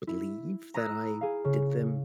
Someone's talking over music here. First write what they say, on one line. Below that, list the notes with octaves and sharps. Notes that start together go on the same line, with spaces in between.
believe that I did them
E4
A#5 B5 D#6 E6 F#6 E7
G#4 F5
C#3